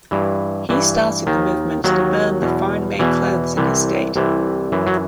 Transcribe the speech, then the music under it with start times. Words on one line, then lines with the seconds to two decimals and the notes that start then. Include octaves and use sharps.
He started the movement to burn the foreign-made clothes in his state.
0.11 G2 E3
0.69 G2 E3
1.27 D#2 D#3
1.84 D#2 D#3 F#3
2.42 E2 B2
2.99 E2 B2 E3
3.57 C2 C3 E3
4.16 C2 C3 E3
4.72 F#2 E3
4.87 F#3